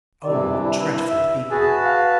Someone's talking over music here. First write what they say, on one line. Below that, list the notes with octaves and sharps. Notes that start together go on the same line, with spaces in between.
Oh, what dreadful people!
G2 C3 E3 D5
E4
E5
F#4 G#4 B4 A5
F5